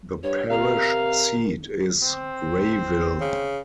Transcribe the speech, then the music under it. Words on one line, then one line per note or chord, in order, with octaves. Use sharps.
The parish seat is Rayville.
G2 C#5
C3 A#4 F5 A#5
C4
C#3